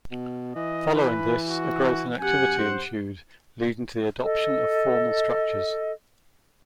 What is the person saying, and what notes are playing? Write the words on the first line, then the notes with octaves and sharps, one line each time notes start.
Following this a growth in activity ensued, leading to the adoption of formal structures.
B2
E3 D#5
B4
F#4
F#2 G4 F#5 G#5
C5
A4 D#5